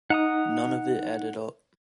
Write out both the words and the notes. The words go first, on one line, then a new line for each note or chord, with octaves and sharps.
None of it added up.
D#4 F#5 A#5 D#6